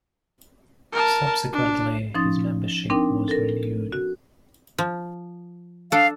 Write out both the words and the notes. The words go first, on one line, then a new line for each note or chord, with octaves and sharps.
Subsequently, his membership was renewed.
A#4 A5
D4
F3 C#4 D#4 C6 D#6 A6
C4 D4 D#4 A#4 G5
A4 A#4
F#4
F3
D4 A4 F5